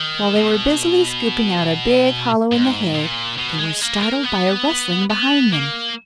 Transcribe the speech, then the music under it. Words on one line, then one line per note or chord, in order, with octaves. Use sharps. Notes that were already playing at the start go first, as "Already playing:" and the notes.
While they were busily scooping out a big hollow in the hay, they were startled by a rustling behind them.
Already playing: D#3
B2
G#2
A#2
B2
G#3
A#3
A#3
B3
B3
A#3